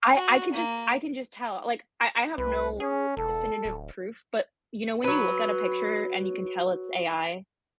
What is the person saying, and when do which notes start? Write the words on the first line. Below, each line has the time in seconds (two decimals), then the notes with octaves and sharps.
I I could just I can just tell, uh, like, I I have no definitive proof, but, you know, when you look at a picture and you can tell it's AI
0.16 F#4
0.53 A#3
2.38 C2 B4
2.80 C#4 G#4
3.17 E1 A4
3.65 D1
5.04 F#3 B4